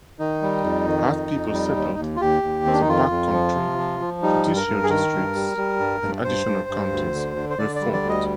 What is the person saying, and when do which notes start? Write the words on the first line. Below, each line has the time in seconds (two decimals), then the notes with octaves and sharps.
As people settled the backcountry, judicial districts and additional counties were formed.
0.19 D#3 D#4
0.42 G3
0.64 F2
0.87 D#3
1.09 F2
1.31 F2
1.53 G3
1.76 D#2
1.99 D#2
2.16 F4
2.21 D#2 G4
2.43 D#2
2.66 D#3 C4
2.73 D4
2.81 D#4
2.88 F2 F4
3.10 F2
3.33 F3
3.55 C3
3.78 F3
4.00 F3
4.22 G3 D#4
4.45 G2
4.56 A#4
4.67 G2
4.83 G#4
4.89 D#3 A#4
5.13 G2
5.35 G3
5.57 G3
5.80 G2
6.02 G2
6.24 G2 C5
6.46 G2
6.69 G2
6.91 D2
7.14 D3
7.36 D3
7.50 C5
7.59 D3 D5
7.76 D5
7.81 G3
7.93 D5
8.03 D2
8.09 D#5